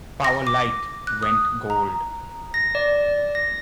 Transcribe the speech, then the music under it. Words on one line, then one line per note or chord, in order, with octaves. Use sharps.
"Powerlight" went Gold.
A#6
D6
F#6
D#6
A#5
A#6
D5
A#6